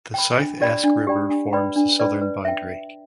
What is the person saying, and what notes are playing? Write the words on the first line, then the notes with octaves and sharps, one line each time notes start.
The South Esk River forms the southern boundary.
G5 B5
D4
G4 D5 G5 B5
D4
G4 D5 G5 B5
D4
B4 D5 G5 B5
D4
B4 D5 G5 B5
B4
E5 G5